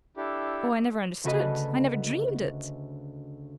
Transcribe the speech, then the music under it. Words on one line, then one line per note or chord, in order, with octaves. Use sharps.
Oh, I never understood--I never dreamed it!
D4 E4 G4 A4
D2 C#3 F#4 A4 B4 D#5